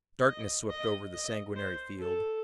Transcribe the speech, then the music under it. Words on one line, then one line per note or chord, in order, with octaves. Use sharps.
Darkness swept over the sanguinary field.
D#5
D#5
D#5
C5
A4